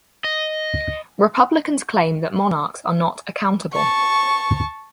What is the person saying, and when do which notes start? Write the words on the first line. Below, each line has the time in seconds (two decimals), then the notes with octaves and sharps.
Republicans claim that monarchs are not "accountable".
0.24 D#5
3.73 A5 C#6